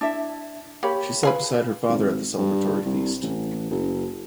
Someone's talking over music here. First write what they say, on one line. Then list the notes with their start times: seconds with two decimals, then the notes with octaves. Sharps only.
She sat beside her father at the celebratory feast.
0.01 D4 E4 E5
0.83 A#3 G4 C#5 B5
1.23 F4 G#4 B4
1.89 G#1
2.38 G2
2.86 C2
3.23 A1
3.71 F#1